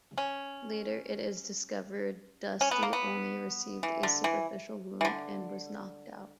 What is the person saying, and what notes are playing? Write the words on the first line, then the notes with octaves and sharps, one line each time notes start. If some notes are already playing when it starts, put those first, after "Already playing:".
Later it is discovered Dusty only received a superficial wound and was knocked out.
C#4
C#4
B3
A#3
B3
E3
D3
E3
E3
D3